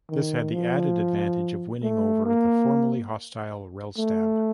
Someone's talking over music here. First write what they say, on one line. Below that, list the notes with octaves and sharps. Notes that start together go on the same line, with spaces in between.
This had the added advantage of winning over the formerly hostile Rellstab.
D#3
F3
A3
A#3
A3